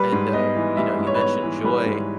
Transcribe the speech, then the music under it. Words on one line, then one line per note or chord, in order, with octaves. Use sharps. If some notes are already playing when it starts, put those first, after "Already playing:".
And, um, you know you mentioned joy
Already playing: G3 B4
G#2
B3 D#5
E3
G3 E5
G#2
C#5
B4
B3 C#5
E3
G3 B4
G#2